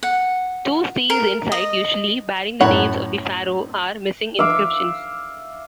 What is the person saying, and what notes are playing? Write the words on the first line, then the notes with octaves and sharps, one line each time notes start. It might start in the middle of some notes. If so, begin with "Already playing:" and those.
Two Steles inside, usually bearing the names of the pharaoh, are missing inscriptions.
F#5
A#4
D#5
F#2 A2 C#5 F#5 B5
E5 F5 D6